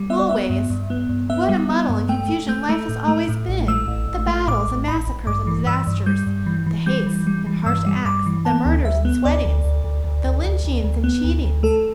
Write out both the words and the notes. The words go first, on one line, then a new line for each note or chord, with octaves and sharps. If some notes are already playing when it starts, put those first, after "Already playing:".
Smallways, what a muddle and confusion life has always been--the battles and massacres and disasters, the hates and harsh acts, the murders and sweatings, the lynchings and cheatings.
Already playing: G3
B3 E5
D5
B3 E5
G2
G2
B3
G2
B3 E5
G3
B3
G2
A3 G5
A3
A3 G6
A3
A2
A3
A2
A1
A3 E6
A1
A1
A3
A2 D6
A1
A1 B5
A1
G2 D6
E3
G2 E6
G2
G3 G6
G2
E3
E3
G3 G6
E3
G3
E3
G2 E6
G3
G2 D6
E3
B3 A5
D2
D2 E5
B3
D2 D5
D2
D2
D2
D2
D2
D2
D2
D2
B3
D2
D2
A3 A4